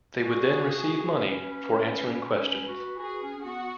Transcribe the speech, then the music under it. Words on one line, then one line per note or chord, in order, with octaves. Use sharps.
They would then receive money for answering questions.
F#4 G#4
F#4
C#4 B4
C#4
C#4
F#4
F#4 G#4
C#4
C#4
B3 F#4